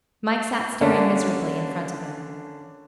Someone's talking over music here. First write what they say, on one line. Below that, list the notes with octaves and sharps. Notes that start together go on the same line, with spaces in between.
Mike sat staring miserably in front of him.
D3 A#3 C#4 D4